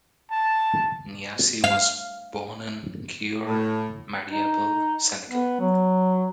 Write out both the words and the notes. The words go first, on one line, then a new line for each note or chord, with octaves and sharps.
Niasse was born in Keur Madiabel, Senegal.
A5
F5
A2
D#4
B3
F#3